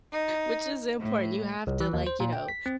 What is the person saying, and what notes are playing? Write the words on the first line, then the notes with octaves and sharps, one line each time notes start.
Which is important, you have to, like, you know
D#4
A2
C2
E3
D#2
C5
A#2
G5
B6
C4